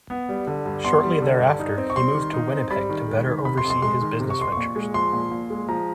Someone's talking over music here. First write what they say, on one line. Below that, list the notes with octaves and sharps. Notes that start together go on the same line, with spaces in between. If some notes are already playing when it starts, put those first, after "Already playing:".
Shortly thereafter, he moved to Winnipeg to better oversee his business ventures.
B3
G3
D3
G2
B3 C6
G3
D3
G2
D#4
C4
C#6
G3 C6
D#3
D#4
C4
G3 B5
D#3
G#3
D#3
C3 B5
C6
F2
C6
G#3 C6
D#3
C3
C#6
F2 C6
A#2 C#6
G#3
F3 C6
A#2
A#2
G#3
F3 A#5